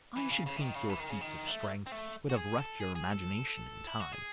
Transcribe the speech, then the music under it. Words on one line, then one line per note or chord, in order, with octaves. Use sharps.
"I should think your feats of strength would have wrecked your imagination in time."
E3
C#3
C#3
E3
D#3
C#3
E3
D#3
C#3
D#3
A3
C4
A3
F#4
G#4
A4
G#4
G#4
A4
E4
F#4
G#4